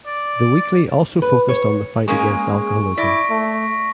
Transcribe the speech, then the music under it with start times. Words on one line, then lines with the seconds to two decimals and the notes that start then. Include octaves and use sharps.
The weekly also focused on the fight against alcoholism.
0.06 D5
1.22 B4
1.49 C#5
2.08 G#3 A#3 C#4 G#4 C#6
2.98 E4 D5 C#6 A#6 B6
3.30 A3